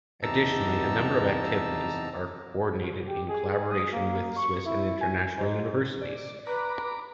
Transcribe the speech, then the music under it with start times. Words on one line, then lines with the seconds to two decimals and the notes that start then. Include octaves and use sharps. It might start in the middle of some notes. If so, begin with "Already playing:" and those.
Additionally, a number of activities are co-ordinated in collaboration with Swiss and International Universities.
0.23 E2 C3 D#4 A5 A#5 E6
3.08 G4
3.29 G#4
3.71 D#6
3.93 A#3
4.37 C#6
4.65 E4
5.01 G#5
5.37 G#2
6.01 D5
6.47 B4 A#5 B5 D6